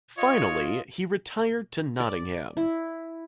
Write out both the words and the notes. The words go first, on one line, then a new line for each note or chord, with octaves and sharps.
Finally he retired to Nottingham.
F4 C#5 D#5
D5
E4